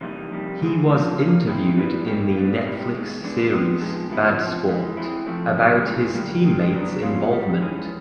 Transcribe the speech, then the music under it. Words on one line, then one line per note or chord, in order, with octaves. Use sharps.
He was interviewed in the Netflix series "Bad Sport" about his teammates involvement.
C3 E3 G3 A#3 D#4
F2 C3 D#3 G3
G#2 E3 G#3
E2 C#3 F3 G#3
C#3 F#3 A#3 C#4
B2 G#3 C4 E4
E3 G3 B3 E4
B2 G3 A#3 D#4
A#2 G3 B3
C3 D#3 G3 C4 E4
E2 B2 G#3
E3 G#3 B3 D4
D#3 G#3 B3
C3 F3 G#3 B3
D3 G3 B3 E4
E2 C3 F3
G#2 E3 G#3
E3 G#3 C4 E4
F2 C3 F3 A3 C4
F#2 D3 G3 B3
A2 E3 G#3
F#2 D3 G3 A#3
D#3 G#3 C4
B2 F#3 B3 D4
B2 G#3 C#4 F4
G#2 D#3 G3
G2 E3 G#3 C#4